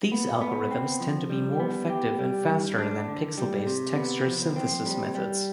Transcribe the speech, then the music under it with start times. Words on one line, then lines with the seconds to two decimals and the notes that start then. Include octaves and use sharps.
These algorithms tend to be more effective and faster than pixel-based texture synthesis methods.
0.12 B3
0.41 B3
0.71 C4
1.00 F3
1.30 G3
1.60 B3
1.89 G4
2.19 G3
2.48 G2
2.78 D4
3.08 D3
3.37 G3
3.67 C3
3.97 B3
4.26 F3
4.56 C4
4.86 G3
5.15 G3